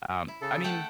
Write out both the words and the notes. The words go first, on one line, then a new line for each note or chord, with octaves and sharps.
Um, I mean,
E4
C#3 A4
A3 A4 F#5 G5